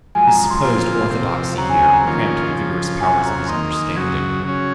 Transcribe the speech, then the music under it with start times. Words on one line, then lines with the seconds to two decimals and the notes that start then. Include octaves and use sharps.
His supposed orthodoxy here cramped the vigorous powers of his understanding.
0.15 F#2 F3 G#3 G#5
0.27 A#5
0.38 A#5
0.51 C6
0.63 A#2 F3 C4 F4
1.10 C3 F3 C4
1.58 C#3 F#3 C4 A#5
1.69 G#5
1.82 G#5
1.93 A#5
2.05 F2 D#3 A#3 C#4 F4
2.53 F2 C#3 F3
3.00 C3 F#3 C#4 F4 G#5
3.25 A#5
3.48 D#3 A#3 D#4 C6
3.72 D#6
3.96 F#2 C#3 F#3 G#6
4.43 C#3 F#3 C#4